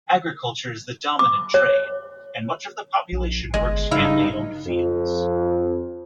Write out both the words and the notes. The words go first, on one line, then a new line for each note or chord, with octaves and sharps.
Agriculture is the dominant trade, and much of the population works family-owned fields.
D6
C#5
A#1
G1 G#3
G2 C#3 D#4 E4 F5
F2